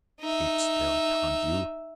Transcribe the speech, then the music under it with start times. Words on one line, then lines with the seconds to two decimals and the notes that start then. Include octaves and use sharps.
"Keep still, can't you?"
0.20 D#4 E5